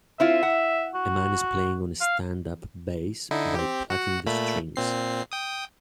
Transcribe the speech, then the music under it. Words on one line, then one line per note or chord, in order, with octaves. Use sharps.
A man is playing on a stand up bass by plucking the strings.
C4 E4 F4 E5
F#5
F#4
F5
D3 D#4 E4
C4 G4
F#4 F#5
A#2 A3 B5
A#2 C4 C7
G5 D#6